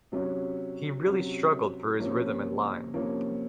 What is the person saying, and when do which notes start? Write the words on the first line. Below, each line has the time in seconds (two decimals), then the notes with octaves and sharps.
He really struggled for his rhythm and line.
0.12 C3 F#3 C#4
1.05 C3 F#3 C#4
2.00 C3 F3 A#3 C#4
2.93 C3 F3 A#3 C#4